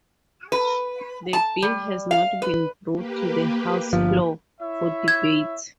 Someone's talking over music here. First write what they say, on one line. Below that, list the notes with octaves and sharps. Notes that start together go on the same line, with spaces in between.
The bill has not been brought to the House floor for debate.
B4
A5
G3
F5
B4
A#3 G4 B4
G1 F3
E4 C#5 E5
G#6